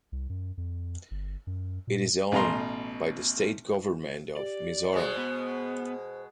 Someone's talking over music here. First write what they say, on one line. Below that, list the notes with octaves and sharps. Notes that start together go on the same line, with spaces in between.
It is owned by the State Government of Mizoram.
C2
F#2
F2
G1
F#2
A#2
A1 B2 A#5 C6
G4 D5
B2 G#3 C5
B3